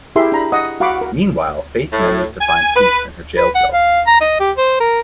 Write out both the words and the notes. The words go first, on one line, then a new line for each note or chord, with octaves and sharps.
Meanwhile, Faith manages to find peace in her jail cell.
E4 G4 G#4 A#4 E5 C6
D4 A#5 B5
D#5 F#5 D#6
F#4 F5 F#5 B5 D6
A#4 F#5
A2
G#5
B4
B4
F#5
F5
A#5
D#5
G4
C5
A#4